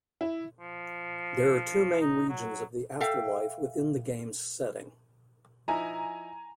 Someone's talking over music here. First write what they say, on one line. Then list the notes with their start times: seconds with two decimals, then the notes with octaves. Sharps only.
There are two main regions of the afterlife within the game's setting.
0.21 E4
0.61 F3
2.01 D#4
2.29 F#3
3.00 A4 E5 F5 G5
5.68 F3 D#4 E4 G#5 A#5